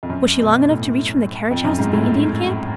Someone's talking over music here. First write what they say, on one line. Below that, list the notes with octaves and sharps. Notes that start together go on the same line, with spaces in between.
Was she long enough to reach from the carriage house to the Indian camp?
F2
F#2
B2
A2
F2
F#2
G#2
A2